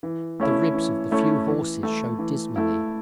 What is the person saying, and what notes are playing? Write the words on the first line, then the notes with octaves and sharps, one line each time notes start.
The ribs of the few horses showed dismally.
E3
A3 C#4 E4
E3
A3 C#4 E4
E3
A3 E4
E3
A3 E4